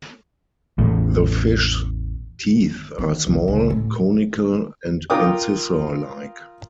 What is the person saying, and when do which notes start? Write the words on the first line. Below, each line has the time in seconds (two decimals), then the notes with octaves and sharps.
The fish's teeth are small, conical, and incisor-like.
0.78 A1 E2 A2
2.99 B3
3.27 C2
3.48 C#2
3.70 A2
5.10 F4 A#4 G5 D6 D#6